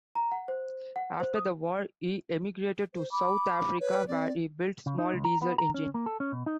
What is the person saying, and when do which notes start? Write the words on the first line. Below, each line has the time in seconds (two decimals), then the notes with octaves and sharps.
After the war, he emigrated to South Africa where he built small diesel engines.
0.15 A#5
0.32 F#5
0.48 C5
0.96 F#5
1.20 C5
1.36 D#6
2.95 C5
3.12 B5 D6
3.80 B4 C#5
4.08 C4 D5
4.86 C#3
4.98 D#4
5.14 C#2
5.25 A#5
5.42 B3
5.58 A#5
5.74 C#4
5.94 A#3
6.06 A4
6.20 C#4
6.32 B2
6.46 D#4